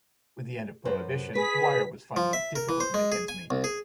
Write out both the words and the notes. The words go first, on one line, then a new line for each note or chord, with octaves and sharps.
With the end of Prohibition, Dwyer was finding it difficult to make ends meet.
F#2 B4 C5
G#4 B4 B6
F3
E5
A#4
E3
C5
G#3
G#4
G#5
C2
G#4